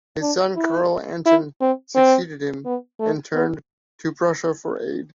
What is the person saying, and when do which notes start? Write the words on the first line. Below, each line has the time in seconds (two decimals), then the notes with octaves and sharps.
His son, Karl Anton, succeeded him, and turned to Prussia for aid.
0.21 D4
0.56 E4
1.26 E4
1.61 C4
1.95 C4
2.65 B3
3.00 A3
3.34 B3